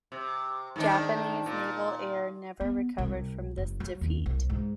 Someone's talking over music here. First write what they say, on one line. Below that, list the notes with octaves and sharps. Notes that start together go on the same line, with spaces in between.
Japanese naval air never recovered from this defeat.
C3
G#2 D#3 D4
A#2
B3
C2
F#1
F#3
D#2
C2
G#2